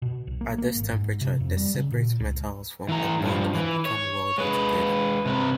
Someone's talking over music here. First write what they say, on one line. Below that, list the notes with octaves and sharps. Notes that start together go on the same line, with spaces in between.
At this temperature the separate metals form a bond and become welded together.
B2
B1
A#3
A#3
G#1
G#2
C3
F2
G3
C#3
A#2
C#2
E3 A#5
G2 F3
E3
C#5
G#3 B4
C3 B4